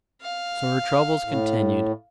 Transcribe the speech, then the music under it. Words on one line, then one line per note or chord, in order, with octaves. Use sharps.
So her troubles continued.
F5
A2